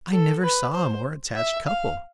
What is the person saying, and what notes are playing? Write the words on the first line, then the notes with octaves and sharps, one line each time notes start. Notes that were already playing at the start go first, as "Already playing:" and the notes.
I never saw a more attached couple.
A4
B4
C5
E5
F5